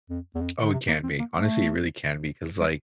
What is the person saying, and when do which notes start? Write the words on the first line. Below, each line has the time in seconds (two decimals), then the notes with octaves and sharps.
Oh, it can be. Honestly, it really can be 'cause, like,
0.10 F2
0.35 E2
0.41 F2
0.61 D3
0.73 C3
0.88 A#3
1.03 C4
1.19 A#3
1.35 A3
2.60 G3